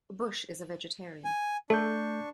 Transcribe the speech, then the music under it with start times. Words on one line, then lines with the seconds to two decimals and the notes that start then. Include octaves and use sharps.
Bush is a vegetarian.
1.25 G#5
1.70 A3 D4 A4 C#6 G6